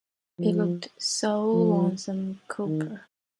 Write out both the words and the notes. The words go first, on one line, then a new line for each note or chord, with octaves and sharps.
He looked so lonesome, Cooper.
F3
F3
D#3